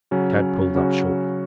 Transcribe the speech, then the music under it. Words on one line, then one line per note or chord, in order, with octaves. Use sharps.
Tad pulled up shortly.
C#3 F#3 C#4 F#4
C#3 F#3 C#4 F#4